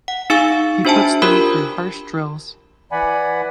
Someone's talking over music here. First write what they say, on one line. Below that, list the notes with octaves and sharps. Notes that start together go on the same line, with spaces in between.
He puts them through harsh drills.
F#5
D#4 G#4 F5 G#5 C#6 E6
D4 F#4 C5 E5 G#5 A5
D4 F4 G4 A#4 B5
E3 D5 F#5 G#5 B5